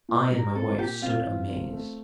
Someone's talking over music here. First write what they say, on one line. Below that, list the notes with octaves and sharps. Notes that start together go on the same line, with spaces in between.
I and my wife stood amazed.
A#2
G3 A#4
C4 A4
A#2 G4
C4 F4
E3
C4
A3